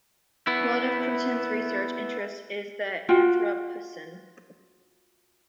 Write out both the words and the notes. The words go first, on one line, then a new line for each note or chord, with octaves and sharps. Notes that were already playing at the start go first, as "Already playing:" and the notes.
One of Crutzen's research interests is the Anthropocene.
B3 E4
F4 F#4 G5